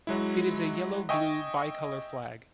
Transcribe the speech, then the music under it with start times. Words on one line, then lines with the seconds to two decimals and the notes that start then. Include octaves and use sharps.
It is a yellow-blue bicolor flag.
0.07 F#3 G#3 E4
1.09 D#5 E5 G5 G#5 C#6